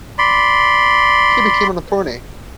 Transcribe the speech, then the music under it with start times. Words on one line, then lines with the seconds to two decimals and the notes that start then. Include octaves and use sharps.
He became an attorney.
0.18 D5 B5 C6